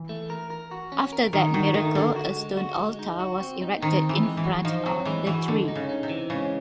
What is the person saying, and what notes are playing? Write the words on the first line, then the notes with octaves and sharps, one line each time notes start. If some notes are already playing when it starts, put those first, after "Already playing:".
After that miracle a stone altar was erected in front of the tree.
Already playing: E3
A3
A#4
A#4
F#4
C#4
A#4
D#3 A#4
D#3 F#4
D#3 A3
D3 A#4
F#4
G#3
F#4
G#3
D#4
F#4
C4
D#4
D#3 C4
C4
E3
G#3
E3
F#4
F3 D#4
F#3 C4
E3 G#3
E3 F#4
D3 G#3
D#4
C#3
D#4
C3
E3
C#3 G#3